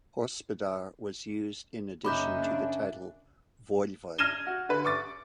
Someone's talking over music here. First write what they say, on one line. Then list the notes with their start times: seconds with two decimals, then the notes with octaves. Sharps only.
"Hospodar" was used in addition to the title "voivod".
2.05 F#1 C#4 D#4 F#4 E5 B5 D6 G6
2.38 C#3 A#3 D4
4.18 F6 G#6 A#6 D#7 E7 G7
4.47 F#4
4.69 D3 B4
4.85 C#6 D6 A6